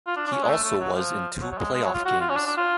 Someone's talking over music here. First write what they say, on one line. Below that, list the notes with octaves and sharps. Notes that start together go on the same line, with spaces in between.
He also was in two playoff games.
F4
D4
D4
C#4
G#3
A3
A3
F#3
F3
F#3
F#3
G#3
G#3
F#3
F4
F#4
F4
C#4
D4
D4
F4